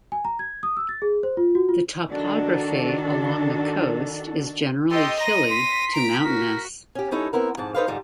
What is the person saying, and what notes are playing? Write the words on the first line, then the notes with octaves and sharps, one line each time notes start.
The topography along the coast is generally hilly to mountainous.
G#5
A#5
G#6
D#6
E6
A6
G#4
C5
F4
F#4
F4
D#3 D4 F#4 A4
G4 A4 D#5 C6
A#5 A#6 D#7
C6 B6
A#5 D7
F#4 A#4
C#4 G4
G3 C#4 D#4 E4 A4 C#5
B3 C4 E4 A#4
F2 G#2 A5
D#4 A4 B4 C5 D5 F5
G#2 D3 G3 D#4 F4